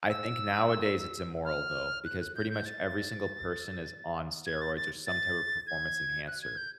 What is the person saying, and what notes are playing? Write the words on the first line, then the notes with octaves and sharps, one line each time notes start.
I think nowadays, it's immoral, though, because pretty much every single person is on steroids or some type of performance enhancer,
E6
F6
F#6
F#6
G6
G6
A6
G#6
A6
A6
A6
G#6
F#6
G#6
G6